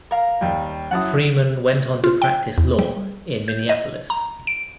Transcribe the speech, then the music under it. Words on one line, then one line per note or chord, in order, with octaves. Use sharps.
Freeman went on to practice law in Minneapolis.
A#4 F5 A#5
D#2 G3
F#2 F#3 E4 F#5 A5 D#6
F4
G5
E2
G3
G6
D#5
A#5
D7